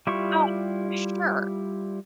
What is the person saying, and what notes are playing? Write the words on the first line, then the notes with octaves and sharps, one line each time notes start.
Oh, for sure.
G3 E4 F4 G4 C#6